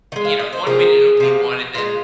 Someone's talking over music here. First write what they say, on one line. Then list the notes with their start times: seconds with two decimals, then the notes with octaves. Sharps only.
you know, one minute it'll be one, and then
0.12 D#3 G#3 D#5
0.25 F5
0.39 D#5
0.53 C5
0.67 C3 F3 A#3 G#4
1.20 C3 F3 A#3
1.75 A#2 G#3 F4